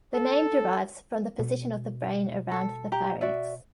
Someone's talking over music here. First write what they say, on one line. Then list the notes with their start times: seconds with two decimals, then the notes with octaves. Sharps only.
The name derives from the position of the brain around the pharynx.
0.15 A4
1.39 B2
2.52 A4
2.92 G4 A#5
3.21 F#4 D5 E5